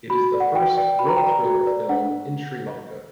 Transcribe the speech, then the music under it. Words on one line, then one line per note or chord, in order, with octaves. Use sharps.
It is the first road thriller film in Sri Lanka.
F#4 B5
B4 D5
F#5
F#4 G5
B4 D5 G5
F#4 B5
A#5
G5
B4 D5 A#5
F#4
B4 D5
D4 F#5